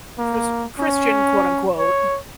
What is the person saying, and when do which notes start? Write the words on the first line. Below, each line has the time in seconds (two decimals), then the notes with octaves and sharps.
Chris Christian, quote unquote.
0.18 A#3
0.80 C#4
1.78 C#5